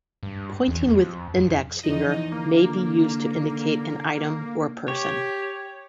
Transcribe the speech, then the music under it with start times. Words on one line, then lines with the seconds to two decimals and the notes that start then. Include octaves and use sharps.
Pointing with index finger may be used to indicate an item or person.
0.23 G2
0.68 E2
0.88 F2
1.38 F2
1.83 E2 F3 D#4 D#5
2.32 D3 A#3
4.88 G4 C#5